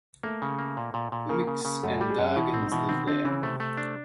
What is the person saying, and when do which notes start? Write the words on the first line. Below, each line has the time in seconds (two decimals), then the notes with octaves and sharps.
Kumyks and Dargins live there.
0.23 A3 A#3 A4
0.42 C#3
0.59 A#3
0.77 A#2
0.94 A#2
1.12 A#2
1.29 C#3 A#3 A#4
1.47 C#3
1.65 C#3
1.83 F#2 A3 A4
2.00 G3 G4
2.09 G#3 G#4
2.19 F#2
2.36 B2 E3 E4
2.54 C4
2.62 D#4
2.72 B2 E3 E4
2.89 D#3 C4 D#4
3.07 D3 C4 D4
3.25 C#3 E3 C#4
3.42 C3 A3 C4
3.60 A3
3.77 D4